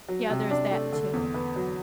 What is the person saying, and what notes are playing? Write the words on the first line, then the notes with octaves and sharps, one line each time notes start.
Yeah, there's that too.
F#3
C3
D4
A3
D3
E2
B3
F#3